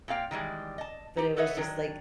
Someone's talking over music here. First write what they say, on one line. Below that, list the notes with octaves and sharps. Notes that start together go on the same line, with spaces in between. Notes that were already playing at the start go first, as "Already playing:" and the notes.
but it was just like
A#2 C4 F5 G5
D#3 E3 G3 G#3
D#5 A5
D#4 G4
A4 B4 C#5 D#5 E5 F#5
D#3 F#3 D4